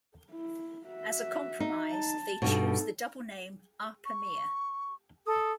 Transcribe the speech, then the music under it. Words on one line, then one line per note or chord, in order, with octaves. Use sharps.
As a compromise they choose the double name Erpe-Mere.
E4
F#4 E5
D#4
A5
G2 B2 D#4 A4
C#6
A4 D#6